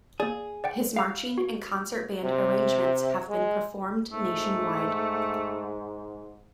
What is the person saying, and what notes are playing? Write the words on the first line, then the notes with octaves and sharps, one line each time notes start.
His marching and concert band arrangements have been performed nationwide.
A#3 G#4 D5
D5 F#5 G5
F5 F#5 A#5
F#4
C3
G#3
G#2 A3